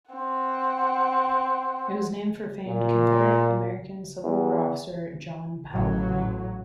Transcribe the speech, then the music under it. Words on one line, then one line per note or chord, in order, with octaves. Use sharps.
It was named for famed Confederate American Civil War officer John Pelham.
C4 F#5
A#2
E2
A1 F#3